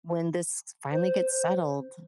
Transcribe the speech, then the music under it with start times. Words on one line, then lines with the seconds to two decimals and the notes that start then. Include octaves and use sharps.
when this finally gets settled,
0.92 C5